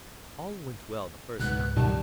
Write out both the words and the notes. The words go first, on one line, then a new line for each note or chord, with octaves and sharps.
All went well the first time.
C#2 G#2 B2 B3 F#6
F#2 B2 D#3 G3 A5